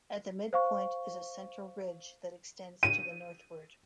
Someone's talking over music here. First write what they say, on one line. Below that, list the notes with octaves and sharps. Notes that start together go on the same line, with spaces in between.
At the midpoint is a central ridge that extends to the northward.
C5 F5 C#6
D#7